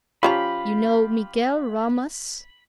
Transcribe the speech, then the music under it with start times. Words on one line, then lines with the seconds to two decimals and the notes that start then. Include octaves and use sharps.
You know Miguel Ramas?
0.23 F3 C#4 F4 G4 A#5 B5